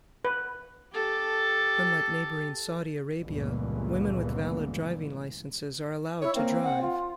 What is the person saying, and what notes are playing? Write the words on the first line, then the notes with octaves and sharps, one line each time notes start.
Unlike neighboring Saudi Arabia, women with valid driving licences are allowed to drive.
B4
G4 A4
G1 C#2 A#2 E3
E4 C#5
A#3 C4
F#5
F4